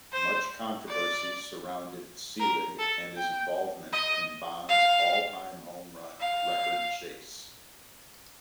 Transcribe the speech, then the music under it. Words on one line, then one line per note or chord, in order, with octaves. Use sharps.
Much controversy surrounded Selig and his involvement in Bonds' all-time home run record chase.
C5
D5
A#4
A4
G5
D#5
F5
F5